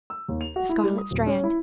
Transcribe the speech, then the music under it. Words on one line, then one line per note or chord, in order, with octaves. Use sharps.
'The scarlet strand!
E6
D#2
F7
F#4
E4
G3
D#6
D1
C#4
E4